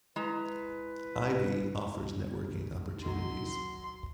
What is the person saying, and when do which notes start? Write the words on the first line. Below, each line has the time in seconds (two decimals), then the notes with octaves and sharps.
Ivey offers networking opportunities.
0.16 G#3 E4 B4 A#5
3.04 D#3 F#3 C6